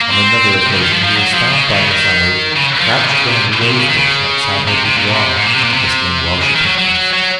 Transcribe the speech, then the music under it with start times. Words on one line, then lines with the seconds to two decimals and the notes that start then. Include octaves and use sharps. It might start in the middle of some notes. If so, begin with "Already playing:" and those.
On another occasion he was found by Miss Amory crouched behind a rose bush outside her boudoir, listening whilst she practised.
0.01 A#3
0.11 C4
0.66 C3
0.73 C#3
0.81 D#3
0.93 F3
1.04 F3
1.16 F#3
1.33 F3
1.51 C#3
1.68 D#3
1.80 C#3
1.89 D#3
2.56 C#3
2.80 F3
2.91 D#3
3.03 C3
3.09 C#3
3.27 C3
3.61 A#2
3.71 C3
3.80 C#3
3.88 D#3
3.97 C#3
4.67 C3
4.85 C3
4.98 A#2
5.12 C3
5.37 G#2
5.46 A#2
5.55 C3
5.64 A#2
5.73 C3
6.43 C#3
6.55 D#3
6.66 F#3
6.78 F#3
7.13 F#3